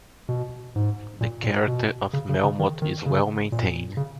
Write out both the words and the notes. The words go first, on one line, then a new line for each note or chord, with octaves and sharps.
The character of Melmotte is well maintained.
B2
G#2
A#2
A#2
B2
C#3
C#3
C#3
D#3
D#3
C#3
A#2
C#3